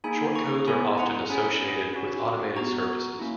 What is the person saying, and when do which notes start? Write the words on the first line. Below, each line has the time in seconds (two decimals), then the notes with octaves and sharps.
Short codes are often associated with automated services.
0.04 A#3 D#4 G#4 G#5 B5
0.35 A#5 C#6
0.67 B3 E4 G#4 G#5 B5
0.99 F#5 A#5
1.30 C#4 G#4 G#5 B5
1.94 C#4 F#4
2.56 B3 F#4 A#5 C#6
3.19 A#3 C#4 E4